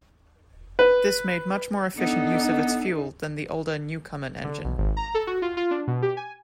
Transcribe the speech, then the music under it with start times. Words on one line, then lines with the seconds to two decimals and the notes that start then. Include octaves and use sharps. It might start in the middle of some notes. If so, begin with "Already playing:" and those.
This made much more efficient use of its fuel than the older Newcomen engine.
0.79 B4
1.98 B3 D4 D#4 A4
4.44 D3
4.65 B1
4.78 G#1
4.97 A#5
5.15 A4
5.27 F#4
5.42 F4
5.57 F4
5.71 D4
5.87 B2
6.02 G4
6.17 G#5